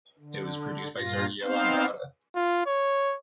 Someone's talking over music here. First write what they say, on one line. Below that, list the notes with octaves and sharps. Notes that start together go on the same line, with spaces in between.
It was produced by Sergio Andrade.
D3
G2 A#2 F4 A#6
B3 C4 D#4 C5 F5
F4
C#5